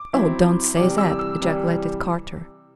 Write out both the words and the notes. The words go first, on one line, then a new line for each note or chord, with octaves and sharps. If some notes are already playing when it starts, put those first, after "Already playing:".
"Oh, don't say that!" ejaculated Carter.
Already playing: D6
F#3 C4 E4
C3 E3 G3 D6
E6
E6
C3 E3 G3